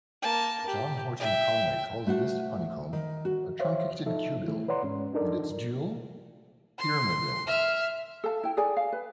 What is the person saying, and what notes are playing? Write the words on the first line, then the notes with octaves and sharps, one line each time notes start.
John Horton Conway calls this honeycomb a truncated cubille, and its dual pyramidille.
A#3 A5
G4
E5 G5
A3 F#4 C5 F#5
D#3
F#4
C5 C#5 E5 F5
F3 D#4 A4 E5
D#3 E3 A3 E4
B4 C#5 D5 F#5 A#5 C6
G#2 G#3 C#4
D4 D#4 A4 A#4 D5
C6
E5 F6
A4 F5 A5
E4 G5
G#4 A4 D5 G#5
F5
B4